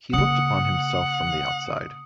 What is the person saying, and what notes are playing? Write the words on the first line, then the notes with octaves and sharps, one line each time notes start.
He looked upon himself from the outside.
C#3 A#3 F#5 D#6 C#7